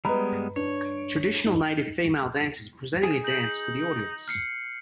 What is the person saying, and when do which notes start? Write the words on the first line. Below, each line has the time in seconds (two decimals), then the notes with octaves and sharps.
Traditional native, female dancers presenting a dance for the audience.
0.05 G3 G#3 B3 B4 D#5 A#5 B5
0.56 D4 B4 C#5
1.46 D#4
3.03 G#4
3.25 D#4 G6 F#7
4.28 F6 C7 C#7